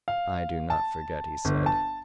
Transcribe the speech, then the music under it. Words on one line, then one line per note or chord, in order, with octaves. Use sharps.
"I do not forget," he said.
F5
A5
G1
A5